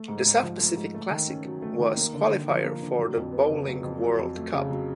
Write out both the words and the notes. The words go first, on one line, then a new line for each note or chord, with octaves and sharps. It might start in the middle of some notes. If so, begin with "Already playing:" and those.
The South Pacific Classic was qualifier for the Bowling World Cup.
Already playing: A3
G#2
G#2
F3
A3
G#2
A3
D#3
C#4
F#3
A3
D#3
A#3
D3
D3
F3
A#3
D3
F#3
F2
B3
C#3
F#3
F2
F#3
F2
A3
C#3
F#3